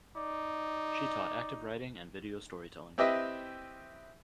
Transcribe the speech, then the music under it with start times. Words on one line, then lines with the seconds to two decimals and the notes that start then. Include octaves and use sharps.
She taught active writing and video storytelling.
0.16 D#4 D5
2.98 C4 E4 G4 B4 D#5 E5